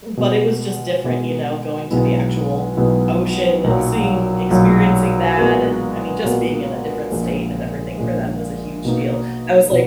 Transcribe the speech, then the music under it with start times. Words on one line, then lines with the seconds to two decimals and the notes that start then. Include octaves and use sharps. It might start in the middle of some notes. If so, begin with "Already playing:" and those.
But it was just different, you know, going to the actual ocean and seeing experiencing that, and I mean, just being in a different state and everything for them was a huge deal. I was like
0.17 B2 G#3 B3
1.04 B2 G#3 B3
1.91 B1 B2 G#3 B3 E4
2.77 B1 B2 G#3 B3 E4
3.64 B1 A#2 F#3
4.51 B1 A#2 F#3
5.37 A#2 G#3 B3 F#4 A#4
6.25 A#2 G#3 B3 F#4 A#4
7.11 A#1 A#2 G#3
7.98 A#1 A#2 G#3
8.85 B2 A#3 D#4 F#4
9.71 B2